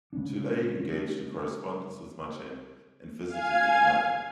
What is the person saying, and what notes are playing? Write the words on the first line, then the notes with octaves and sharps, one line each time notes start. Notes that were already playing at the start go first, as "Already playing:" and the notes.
Toulet engaged a correspondence with Machen and visited him in London.
C#3 G#3 C#4 D4
F5 G#5 G#6